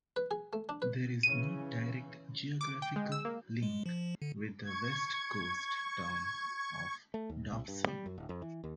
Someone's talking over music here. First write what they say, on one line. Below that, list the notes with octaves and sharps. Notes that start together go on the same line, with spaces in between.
There is no direct geographical link with the West Coast town of Dobson.
B4
G#4
A3
D4
B4
C#3 E3 C#4 D#7
D6
G5
G#3
E6
A#3
G#3
F3
D3
C#6 G#6
A3
D#2
C2
G2
G3
F#2
D1
F2
E3
D#2